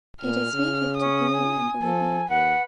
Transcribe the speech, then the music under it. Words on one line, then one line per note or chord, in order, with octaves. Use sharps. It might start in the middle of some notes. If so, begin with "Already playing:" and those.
It is native to Peru and Bolivia.
A#2 F6
C#3
C#4 D#6
G#5
F3 A4
D#2 B4 F#5